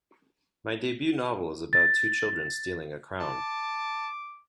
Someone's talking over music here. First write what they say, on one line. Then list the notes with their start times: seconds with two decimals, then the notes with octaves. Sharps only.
My debut novel is about two children stealing a crown.
1.73 A6
3.20 A5 D6